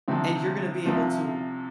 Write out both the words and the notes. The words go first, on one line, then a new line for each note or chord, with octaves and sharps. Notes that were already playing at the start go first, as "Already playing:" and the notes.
and you're gonna be able to
D2 C3 F3 C4
C2 C3 F3 F4